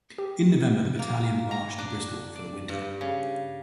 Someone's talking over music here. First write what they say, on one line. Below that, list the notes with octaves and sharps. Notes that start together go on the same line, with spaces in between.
In November the battalion marched to Bristol for the winter.
G4
A#3
A#5
D4
D5
G2
C#3